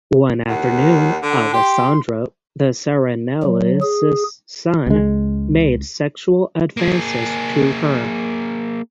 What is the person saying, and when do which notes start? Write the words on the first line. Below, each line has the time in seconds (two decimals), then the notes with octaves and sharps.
One afternoon, Alessandro, the Serenellis' son, made sexual advances to her.
0.48 D#2 F#5
1.23 D3
1.54 G4 C6
3.43 F#3
3.82 G#4
4.87 C#2 G#3
6.77 A#3 G#4